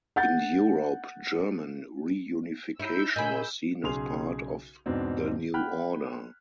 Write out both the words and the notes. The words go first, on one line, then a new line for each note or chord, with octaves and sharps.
In Europe, German reunification was seen as part of the new order.
F#5 G6 A6
D#4 E4 E6 G6
A#2 G#4 D#5 G#5 B5
B1 C#3 G#4 C6 F7
E2 G#2 B2 C4 D4
F#5 G5 B5 F6 F#6